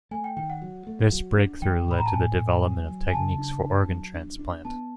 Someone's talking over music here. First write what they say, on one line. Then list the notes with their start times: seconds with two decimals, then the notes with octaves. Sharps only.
This breakthrough led to the development of techniques for organ transplant.
0.11 A3 G#5
0.24 G5
0.37 D#3 G5
0.50 F#5
0.62 F#3
0.87 A3
1.12 F#3
1.37 D4
1.62 E3 G5
1.88 A2 B5
1.98 A#5
2.06 A5
2.13 A2 G#5
2.38 A2
2.63 F#3
2.88 F#3
3.08 G#5
3.13 C#3 A5
3.38 D4
3.64 D4
3.89 F#3
4.14 D4
4.39 D4
4.65 B3 A5